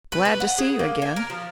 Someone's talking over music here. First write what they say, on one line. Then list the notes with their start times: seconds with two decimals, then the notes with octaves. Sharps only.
"Glad to see you again."
0.12 B4
0.25 B4
0.40 F#5
0.58 G#4
0.79 A#3
1.02 G#5
1.16 A#4
1.30 F3